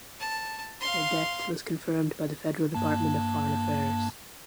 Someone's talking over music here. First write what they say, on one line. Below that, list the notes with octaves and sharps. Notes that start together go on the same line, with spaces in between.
Her death was confirmed by the Federal Department of Foreign Affairs.
A5
F5 C6
G2 A#3 A5